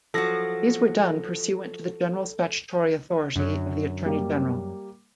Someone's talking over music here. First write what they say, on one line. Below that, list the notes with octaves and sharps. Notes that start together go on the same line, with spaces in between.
These were done pursuant to the general statutory authority of the Attorney General.
F3 F#3 F#4 A4 A#6
F#2 D3 F#3
G3 A#3